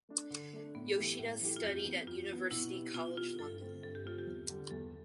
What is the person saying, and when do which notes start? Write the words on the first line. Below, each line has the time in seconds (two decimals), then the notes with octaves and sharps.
Yoshida studied at University College London.
0.09 A3 D4
0.30 D3
0.53 A3 D4
0.75 A2 B3
0.96 E3 A3 E4 G4
1.19 A2
1.41 E3 A3 E4 G4
1.56 F4
1.63 F2 G4
1.85 E3 B3
2.07 F2 F4
2.29 E3 B3
2.51 B2 E4
2.72 B3 E4 G4
2.94 B2 F4
3.17 B3 E4 F4 G4
3.39 G2 A4
3.61 D3 A3 C4
3.83 G2 A4
3.95 G4
4.05 D3 A3 C4 F4
4.19 G4
4.27 E2
4.49 D3 G3
4.71 E2 A4